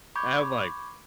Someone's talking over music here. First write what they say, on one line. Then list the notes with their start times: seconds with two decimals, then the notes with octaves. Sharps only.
And, I'm like,
0.16 B5 C#6 D6 G6 G#6